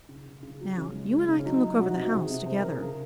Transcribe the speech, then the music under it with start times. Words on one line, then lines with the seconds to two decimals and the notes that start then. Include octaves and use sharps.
"Now, you and I can look over the house together."
0.09 C#3
0.26 C#3
0.43 C#3
0.61 F#3
0.77 C#3 C#4
0.94 G#3
1.11 G#3
1.28 C#3
1.40 C#4
1.45 F#3 D#4
1.56 D#4
1.62 F#3
1.68 D#4
1.78 C3 F#4
1.96 C3
2.05 F#4
2.12 C3 G#4
2.30 C3
2.46 C3 C5
2.58 A#4
2.64 C3
2.70 G#4
2.80 C#3 A#4